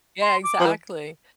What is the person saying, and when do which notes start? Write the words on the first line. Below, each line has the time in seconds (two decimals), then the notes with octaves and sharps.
Yeah, exactly.
0.22 C6
0.44 D6
0.60 F3
0.66 E3